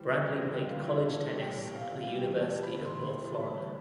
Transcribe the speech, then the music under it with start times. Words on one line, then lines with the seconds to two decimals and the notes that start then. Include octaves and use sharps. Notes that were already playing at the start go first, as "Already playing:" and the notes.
Bradley played college tennis at the University of North Florida.
Already playing: D2 E3 G3 C5
0.09 F2 A4
0.25 F2
0.42 D3 G4
0.58 G3
0.64 F4
0.75 E2
0.86 E4
0.92 E2
1.08 B2 A4
1.25 G3
1.41 C2 G5
1.58 C2
1.74 C3 F5
1.91 E3
1.96 F5
2.07 G3
2.19 G5
2.24 E2
2.41 C3 A5
2.57 F3
2.63 B5
2.74 D2
2.85 C6
2.91 D2
3.07 C3 C6
3.24 E3
3.34 A5
3.40 G3 B5